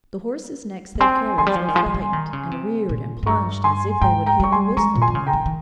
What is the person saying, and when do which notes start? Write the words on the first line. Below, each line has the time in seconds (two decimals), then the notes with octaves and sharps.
The horses next their carriage were frightened, and reared and plunged as if they would hit the Whistler party.
0.95 A#3
1.00 C4 G#5 C6
1.38 F3 G#5 C6
1.47 G3
1.56 F3
1.68 D#3
1.75 F3 G#5 C6
1.86 F3
1.95 G3
2.13 D#3
2.33 C#3
2.51 C3
2.89 A#2
3.23 G#2
3.26 G2 A#5 C#6
3.64 G#5 C6
4.02 G#2 G5 A#5
4.26 G5 A#5
4.40 G3 C#6
4.52 G#5 C6
4.77 G#3 A#5 C#6
4.96 A#2
5.02 G#5 C6
5.08 D#3
5.15 C#3
5.27 G5 A#5
5.33 D#3
5.46 D#3